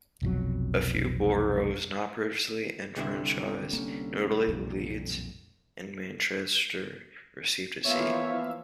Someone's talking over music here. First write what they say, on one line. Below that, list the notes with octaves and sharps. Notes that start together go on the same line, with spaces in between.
A few boroughs not previously enfranchised, notably Leeds and Manchester, received a seat.
F1 B1 F2 F#3
C2 D3 E5
A#3 C#4
B1 F2 A#2
E3 F3 A#3 B3 C#5 E5 F5